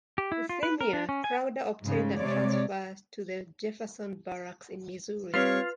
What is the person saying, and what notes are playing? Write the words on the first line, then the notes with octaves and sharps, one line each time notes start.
The same year, Crowder obtained a transfer to the Jefferson Barracks in Missouri.
G4
E4
F4
B4
A#4
D4
C#4
G#5
G#2 C#3
C3 G#3 C#5 D5
G3 C4 F4 B4 C#5 F5